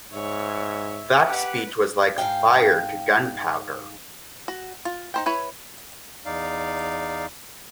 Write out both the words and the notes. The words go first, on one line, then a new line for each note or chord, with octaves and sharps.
That speech was like fire to gunpowder.
G#2 C#5 E5
G4 B4 F#5
G#2 F3 F5 G5
F#4
F4
D#4 C5 G5
E4 B4 C#5
E2 D#4 D5 F5